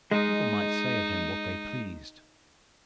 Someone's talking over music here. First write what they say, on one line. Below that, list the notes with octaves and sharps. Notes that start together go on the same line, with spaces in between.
People might say of him what they pleased.
G#3 D#4